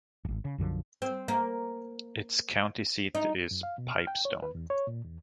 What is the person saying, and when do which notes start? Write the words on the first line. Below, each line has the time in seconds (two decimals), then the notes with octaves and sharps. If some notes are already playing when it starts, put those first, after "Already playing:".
Its county seat is Pipestone.
0.25 D1 G#1
0.45 C#3
0.58 B1 F#2 D3 F3
1.02 C4
1.28 A#3
3.15 D#4
3.51 F#2
3.63 F5
3.78 B2
3.91 F6
4.07 G5
4.25 C#5
4.42 B4
4.55 E2
4.70 C#5
4.87 A#2
5.05 E2